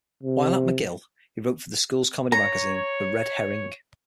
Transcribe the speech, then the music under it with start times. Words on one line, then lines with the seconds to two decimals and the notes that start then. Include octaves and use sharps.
While at McGill, he wrote for the school's comedy magazine "The Red Herring".
0.23 C3
2.32 C#5 A#5